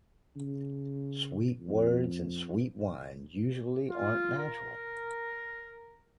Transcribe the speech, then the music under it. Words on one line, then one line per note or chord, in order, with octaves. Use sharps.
Sweet words and sweet wine usually aren’t natural.
C#3
F2
F4
A#4